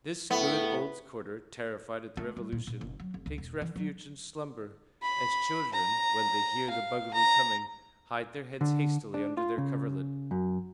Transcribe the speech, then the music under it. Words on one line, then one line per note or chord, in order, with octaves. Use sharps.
This good, old quarter, terrified at the Revolution, takes refuge in slumber, as children, when they hear the Bugaboo coming, hide their heads hastily under their coverlet.
A2 B3
A3
G3
A#2
A#2
F#1
F#3
F1
C#2
E1
E3
F#3
B5
A#5
F5
A#5
D3
D4
F4
C#3
F#2